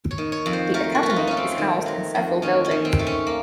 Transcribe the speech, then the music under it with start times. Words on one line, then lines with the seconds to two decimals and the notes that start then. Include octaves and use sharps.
The Academy is housed in several buildings.
0.11 C#5
0.18 D#3
0.32 C#5
0.46 F2
0.53 C5
0.74 A3 A#4
0.95 F#4
1.03 A3
1.10 F4
1.16 D#4
1.27 A3 C#4
1.37 C4
1.58 D#3
1.86 F#3
2.15 F2
2.42 D#3 C#4
2.65 C#4
2.71 D#3
2.85 C4
2.99 A3
3.07 C#4
3.27 A#3